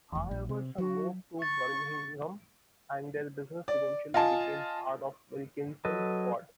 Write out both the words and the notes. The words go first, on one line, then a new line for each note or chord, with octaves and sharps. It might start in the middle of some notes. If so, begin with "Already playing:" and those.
However some moved to Birmingham and their business eventually became part of Wilkinson Sword.
F1 E2
A#1
C3
F#3 F#4
C#6 A6
D5
F4 D#5 G#5 A5
F#3 A4 B4 D#5